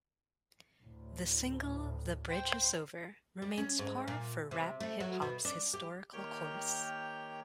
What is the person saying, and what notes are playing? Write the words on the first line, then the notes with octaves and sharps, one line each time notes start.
The single "The Bridge Is Over" remains par for Rap Hip-Hop's historical course.
D2 A2
C5 G5
G3
C#4
G#2
A#2
C3
A3
F#3
B2
D4
G4
D#3 A#3 G4 C#5 G5 G6